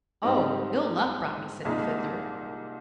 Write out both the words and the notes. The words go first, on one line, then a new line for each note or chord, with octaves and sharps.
"Oh, Ill-Luck brought me," said the Fiddler.
G#2 G3 C4 D#4
C2 A#2 G#3 D#4